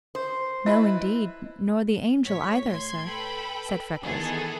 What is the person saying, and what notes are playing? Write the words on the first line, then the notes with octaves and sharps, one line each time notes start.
"No, indeed; nor the Angel, either, sir," said Freckles.
C5
E4 B4 D#5 B5
A2 C#5 B6
C6 G#6
A4 B4 G5 B5
D#3 E3 B3 G#4 A4